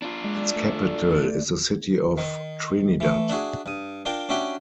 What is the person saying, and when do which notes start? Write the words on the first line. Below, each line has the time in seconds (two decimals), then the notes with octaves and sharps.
Its capital is the city of Trinidad.
0.02 D4 F4
0.24 G#3 D5
0.56 A3
2.18 D#3
3.00 E3 A3
3.29 D4 E4 F#4 G#4
3.66 G2 D#6
4.05 D4 F4 A#4 G5 A#5
4.29 C#4 D4 E4 F#4 G4 G5